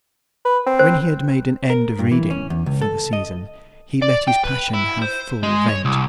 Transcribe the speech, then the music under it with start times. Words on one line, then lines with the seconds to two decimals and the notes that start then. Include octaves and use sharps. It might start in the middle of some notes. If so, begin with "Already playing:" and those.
When he had made an end of reading,--for the season,--he let his passion have full vent.
0.45 B4
0.66 C4
0.79 C5
1.70 A#4
1.99 G2
2.11 E3
2.30 C#4
2.50 E2
2.66 C#2
2.81 A4
3.13 D#5
4.02 D5
4.27 G5
4.44 B4
4.73 E4
5.02 C5
5.43 G#3
5.69 C#5
5.85 C2